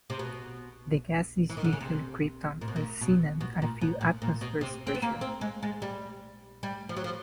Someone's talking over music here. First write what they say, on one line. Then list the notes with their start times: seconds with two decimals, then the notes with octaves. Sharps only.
The gas is usually krypton or xenon at a few atmospheres pressure.
0.10 C3
0.19 B2
1.49 E3
1.57 D#3
1.64 D3
1.73 C#3
1.81 C3
2.61 A#2
2.68 B2
2.76 A#2
3.01 B2
3.41 B2
3.62 A#2
3.81 B2
4.01 A#2
4.22 A#2
4.41 B2
4.61 C3
4.87 C4
4.95 B3
5.02 A#3
5.21 C4
5.41 G#3
5.63 G#3
5.82 G3
6.63 G3
6.89 F3
6.97 F#3
7.04 F3